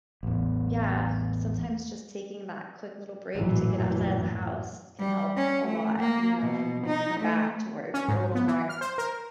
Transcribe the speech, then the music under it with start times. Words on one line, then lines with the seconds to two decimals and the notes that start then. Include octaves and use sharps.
Yeah, sometimes just taking that quick little break to get outside of the house can help a lot, you know, and then when you come back to work, you're a little more
0.23 A1 E2
3.34 A1 F#2 A#2 E3 F#3
4.99 G3
5.37 C#4
5.66 A3
5.99 A#3
6.41 B2
6.86 D#4
7.20 A3
7.94 C#4
8.08 G#2
8.35 B3
8.47 E3
8.69 F6
8.81 C5
8.98 A#4